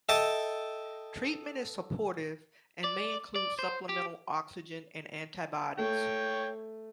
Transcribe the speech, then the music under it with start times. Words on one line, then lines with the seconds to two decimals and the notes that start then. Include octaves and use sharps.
Treatment is supportive and may include supplemental oxygen and antibiotics.
0.09 A4 D#5 E5 G5 A5 D#6
2.84 D5
3.36 D5
3.59 C5
3.89 G4
5.78 A3 C#5 G5